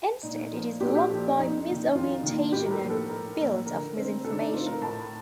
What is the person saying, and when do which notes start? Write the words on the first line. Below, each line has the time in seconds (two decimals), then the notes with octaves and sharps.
Instead, it is locked by misorientation and built of misinformation.
0.23 A#2 D#4
0.52 F3 A#3
0.80 A#2 G4
0.88 A4
0.95 G4
1.09 F3 A#3
1.38 F2 D#4
1.66 D#3 A#3
1.95 F2 F4
2.23 D#3 A#3
2.52 A2 G4
2.66 A#4
2.71 A4
2.81 F3 A#3
2.90 A4
3.09 A2 A#4
3.39 F3 A#3
3.66 D3 A#4
3.95 A3 C4
4.24 D3 A4
4.32 D4
4.38 D#4
4.53 A3 C4 F4
4.67 A#4
4.81 A2 A5